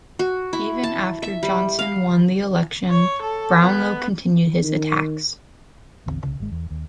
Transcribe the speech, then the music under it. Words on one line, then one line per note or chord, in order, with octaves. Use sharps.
Even after Johnson won the election, Brownlow continued his attacks.
F#4
E4
A5
E5
G3
F5
C#5
A4
B3
D#3
A#1 E2 D3 C4
C2 C#3
G#1 G#3
E2
D#2